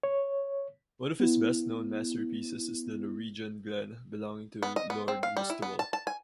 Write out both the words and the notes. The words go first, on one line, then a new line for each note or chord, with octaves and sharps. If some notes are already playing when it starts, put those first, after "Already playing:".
One of his best-known masterpieces is the Norwegian glen belonging to Lord Listowel.
C#5
B3 E4
B3
D#5
B3
C4
F5
G3
E4
B3
A5
A5
G#5